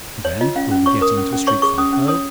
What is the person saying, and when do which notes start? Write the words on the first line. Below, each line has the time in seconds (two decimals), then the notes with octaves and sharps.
And then you'll be getting into a street fight--oh!
0.25 C#5
0.41 F4 D#5
0.56 C#4 F5
0.71 C#4
0.86 C#5 C#6
1.01 A#4 D#6
1.17 C#4
1.33 C#4
1.47 C#5 C#6
1.62 G#4 C#6
1.78 C#4 D#6
1.93 C#4
2.08 C#5 D#6